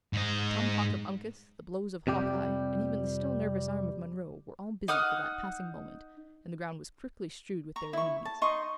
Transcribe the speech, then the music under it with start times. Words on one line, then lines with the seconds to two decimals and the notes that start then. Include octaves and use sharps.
The tomahawk of Uncas, the blows of Hawkeye, and even the still nervous arm of Munro were all busy for that passing moment, and the ground was quickly strewed with their enemies.
0.13 G#2 D#5
2.07 F2 C3 G3 G4
4.88 D#4 F#5 D#6 F6
7.76 A#5 C#6
7.93 E4 C#6
8.25 A5
8.42 D#4 D#5 C6 C#6